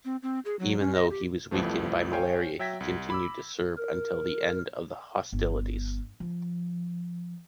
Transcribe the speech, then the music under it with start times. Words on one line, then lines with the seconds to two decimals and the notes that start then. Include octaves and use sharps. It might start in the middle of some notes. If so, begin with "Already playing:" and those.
Even though he was weakened by malaria, he continued to serve until the end of the hostilities.
0.05 C4
0.23 C4
0.45 G#4
0.59 F#3
0.80 C#4
0.95 D#5
1.10 G4
1.51 C2 F2 E3 F3 A3
2.13 C5 C#5 F5 G5 G#5
2.59 F#3 E5 G5 G#6 A#6 B6
2.80 C2
3.10 B5 D6 E6
3.77 A#4
5.32 G1
6.20 F3